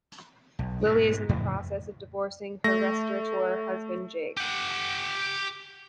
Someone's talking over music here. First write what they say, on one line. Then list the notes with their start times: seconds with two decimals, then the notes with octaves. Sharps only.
Lily is in the process of divorcing her restaurateur husband, Jake.
0.59 B1
0.85 G#2 B2
1.29 F2 A2 C#3 E3
2.64 A3 A#6
4.37 G4 F#5